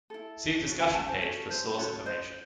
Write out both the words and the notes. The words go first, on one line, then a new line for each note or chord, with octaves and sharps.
See discussion page for source information.
E4 A4
C#4 F#4 A4
E5 G#5
F#5 A5
C5
C#4 F#4 A4 C#5
C5
C#4 F#4 A4 C#5
C5 D#5